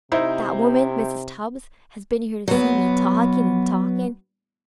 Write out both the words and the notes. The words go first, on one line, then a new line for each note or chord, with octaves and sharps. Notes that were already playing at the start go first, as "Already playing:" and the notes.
That woman Mrs. Tubbs has been here to see me, talkin' an' talkin'.
C3 D#4 E4 C5
F#3 B3